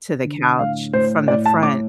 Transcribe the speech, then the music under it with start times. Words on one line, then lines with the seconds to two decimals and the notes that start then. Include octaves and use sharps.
to the couch from the front.
0.24 D3
0.59 A2 F5
0.93 A2 C5
1.28 A2 D5
1.46 A5
1.63 A2 D6